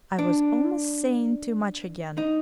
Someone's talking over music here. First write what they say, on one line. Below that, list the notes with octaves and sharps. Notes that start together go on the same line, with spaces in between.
I was almost saying too much again.
D4
D#4